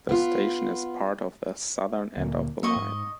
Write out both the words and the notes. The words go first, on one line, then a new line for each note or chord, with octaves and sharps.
This station is part of the southern end of the line.
B3 F4
D2 A#2
A#3 D#5 C#6
G#2